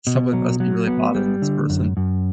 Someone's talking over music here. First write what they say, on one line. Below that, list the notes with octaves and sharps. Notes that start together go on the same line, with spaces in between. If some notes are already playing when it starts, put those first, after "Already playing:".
Someone must be really bothering this person.
B2
F#3
F#3
B3
G3
D3
F#2
F#2